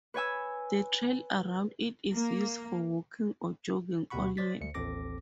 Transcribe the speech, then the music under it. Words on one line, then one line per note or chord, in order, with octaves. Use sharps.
The trail around it is used for walking or jogging all year.
B4 C#5 G#5 E6
A#3
D2 B2 G4 F#5 B5 C#6
F#3 C5 D5 A6 B6
D2 C#7
A1 D#2 C4 A4 D6 A#6